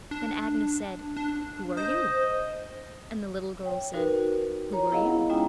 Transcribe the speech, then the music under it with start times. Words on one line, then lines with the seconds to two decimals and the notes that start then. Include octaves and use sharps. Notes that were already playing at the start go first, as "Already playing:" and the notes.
Then Agnes said, "Who are you?" And the little girl said, "Who are you?"
0.11 D4
1.17 D4
1.77 C5 D#5
3.63 C#5 G5
3.94 D#4 F#4 A#4 B4
4.73 C#5 A#5
4.91 B3 E4 G#4 D#5 F5 F#5
5.30 G#3 C#4 D#4 F4 G5 A#5